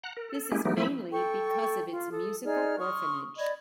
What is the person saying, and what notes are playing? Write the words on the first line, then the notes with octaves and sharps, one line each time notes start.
This is mainly because of its musical orphanage.
F#5 A#5 F#6
A#4
A4
G#3 A#3 C#4 E4 G4 G#4
E3 F#3 A3 B3 D#4 G4
F3 A3 C4 E4 B5
A4 G5 C#6
F4
A4 D#6
D#4 G#4 D5 F6
C6 C#6 D#6 F6
D5 D#5 B5 G#6